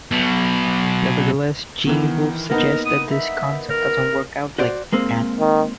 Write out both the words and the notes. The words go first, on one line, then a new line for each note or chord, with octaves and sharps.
Nevertheless, Gene Wolfe suggests that this concept doesn't work out like that.
B1 B2
D#3 E3 B3
A#3 B3 D#4 A#4
D#6
E5
A#4
F#4 C5 D5
G#3 A#3 C4
D#3